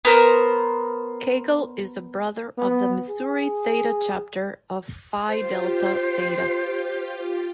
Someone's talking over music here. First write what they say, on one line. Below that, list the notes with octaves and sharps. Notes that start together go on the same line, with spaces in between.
Cagle is a brother of the Missouri Theta Chapter of Phi Delta Theta.
B3 A#4 C5
B3
G#4
F4 G4 C5